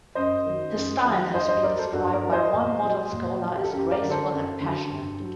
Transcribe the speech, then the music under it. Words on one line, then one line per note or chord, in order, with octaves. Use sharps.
His style has been described by one modern scholar as graceful and passionate.
F#2 C5 D#5
D#3 F#3
F#2
D#3 F#3
G2 C5 D#5
C5 D#5
F#3 A#4 D5
A4 C5
G2 F#4 A4
A#4 D5
F#3
C5 D#5
A#2
F#3
A#2
F#3
G4
A4
F#2 G4 A#4
A#4 D5
D3 F#3
A4 C5
F#2
D3 F#3
G2
F#3